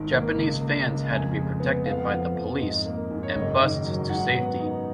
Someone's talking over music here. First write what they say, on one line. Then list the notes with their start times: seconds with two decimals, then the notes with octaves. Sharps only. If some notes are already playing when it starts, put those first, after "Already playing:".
Japanese fans had to be protected by the police, and bussed to safety.
Already playing: G#1 D#3
0.12 A#3
0.35 C#2
0.61 A#3
0.86 C#2
1.11 F2 G#5
1.36 G#3
1.60 B3
1.85 F2 F5
1.96 F#5
2.05 F5
2.11 F3
2.35 F2
2.60 G#2 D#5
2.86 A#3
3.10 G#2
3.23 C#5
3.35 F#1 D#5
3.60 D#3
3.85 F#3
4.09 G#2 F#5
4.34 B3
4.59 D#4